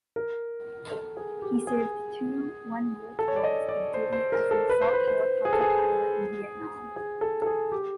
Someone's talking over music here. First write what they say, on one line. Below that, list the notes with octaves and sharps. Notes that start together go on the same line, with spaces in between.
He served two one-year tours of duty as an assault helicopter pilot in Vietnam.
A#4
A4
G#4
G4
G#4
A4
C#5
D5
D#5
D5
C5
C5
A#4
A4
B4
C5
B4
C5
G#4
A4
G#4
G#4
A4
A4
G#4
G4